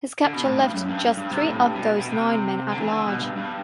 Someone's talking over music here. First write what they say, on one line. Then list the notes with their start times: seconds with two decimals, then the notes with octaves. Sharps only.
His capture left just three of those nine men at large.
0.25 D3
0.33 B2
0.44 A2
0.59 G2
0.73 F#2
0.88 G2
1.17 G2
1.31 C3
1.46 A2
1.60 G2
1.75 B2
1.99 B2
2.09 C3
2.71 D3
2.77 E3
2.91 D3
3.06 B2
3.21 G2
3.36 G2